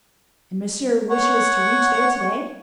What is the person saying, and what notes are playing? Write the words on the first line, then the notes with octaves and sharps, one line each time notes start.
"And Monsieur wishes to reach there to-day?"
C#5 F#5